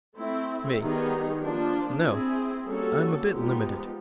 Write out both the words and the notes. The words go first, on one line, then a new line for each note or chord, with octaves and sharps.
ME: No. I'm a bit limited.
A3 C4 E4
D#3 G3 B3 D#4 G#4
F3 A#3 D4
C4 E4 G#4
G3 A#3 C#4 F#4 A4
F3 G#3 B3 D#4 G4